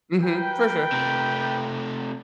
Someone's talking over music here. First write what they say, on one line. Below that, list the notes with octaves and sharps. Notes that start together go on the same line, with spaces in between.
Mhm. For sure.
A#4 B4 G5
C3 A3